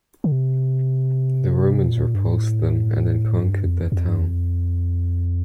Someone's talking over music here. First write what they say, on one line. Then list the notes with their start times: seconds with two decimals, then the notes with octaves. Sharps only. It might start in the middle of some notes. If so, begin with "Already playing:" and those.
The Romans repulsed them and then conquered their town.
0.24 D3
0.32 C3
1.87 A#2
2.15 G2
2.25 A2
3.40 G2
3.66 F2
3.92 F2
4.08 G2
4.18 F2